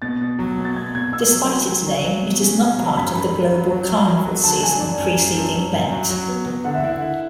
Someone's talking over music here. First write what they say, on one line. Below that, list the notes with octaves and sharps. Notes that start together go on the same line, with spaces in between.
Despite its name, it is not part of the global Carnival season preceding Lent.
B2 A6
B2
F#3
B2
A6
B2 G#6
B2 G#6
B2 E6
F#3
C#4
F#3
F#3
F#3
B2
C#4
B2
F#3
F#2 B5
F#2
F#2
F#3
F#3
F#3
F#3
F#3
D3 A5
F#3 G#5
F#2 D5
F#2
F#2
F#2
F#2
F#2
F#3
F#3
B3
B3
D3 F#5
E5
E4 F#5
E4